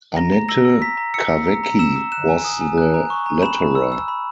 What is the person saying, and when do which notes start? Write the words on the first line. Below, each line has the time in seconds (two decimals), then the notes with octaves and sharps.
Annette Kawecki was the letterer.
0.17 A#5 A#6
0.32 A#5
0.49 E6 A#6
0.65 E6
0.82 A#5 B6
0.97 A#5
1.14 E6 C#7
1.30 E6
1.47 A#5
1.64 A#5
1.79 E6 E7
1.96 E6
2.12 F#6 E7
2.29 G#5
2.45 D#6
2.61 G#5
2.78 F#6
2.94 A#5
3.10 C#6
3.26 A#5
3.42 B5 E7
3.59 B5
3.75 E6
3.92 E6
4.08 B5